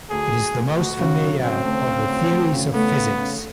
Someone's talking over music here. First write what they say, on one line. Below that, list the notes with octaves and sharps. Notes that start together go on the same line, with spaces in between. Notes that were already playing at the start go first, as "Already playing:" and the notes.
It is the most familiar of the theories of physics.
D2 G#4
D2
D2
D2 F#4
C#3
F#3
C#3 C4
D2
C#3
D2
D2
C#3
A3 B3
C#3
C#3